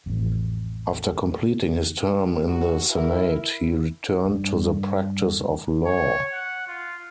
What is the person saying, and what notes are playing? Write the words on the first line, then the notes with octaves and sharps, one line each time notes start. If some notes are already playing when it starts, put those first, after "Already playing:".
After completing his term in the Senate, he returned to the practice of law.
A1 F2
F#4
E4 A#4
G2
C#5
F#5
F4